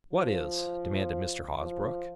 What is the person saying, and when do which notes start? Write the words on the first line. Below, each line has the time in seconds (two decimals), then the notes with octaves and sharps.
"What is?" demanded Mr. Hosbrook.
0.13 F3
1.59 F3